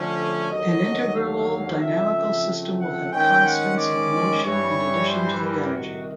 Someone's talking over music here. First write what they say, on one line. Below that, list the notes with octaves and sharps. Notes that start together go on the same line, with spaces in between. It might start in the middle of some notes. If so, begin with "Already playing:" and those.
An integrable dynamical system will have constants of motion in addition to the energy.
Already playing: D3 F3 A3 C#4
D#2 D3 F#3 D#5
F5
C#3 F3 A3 C4 E5
F#5
G#2 D#3 G#3 C#4 G5
F#5
D5
G2 E3 G3 C#5
C5
A#4
C2 C3 D#3 F#4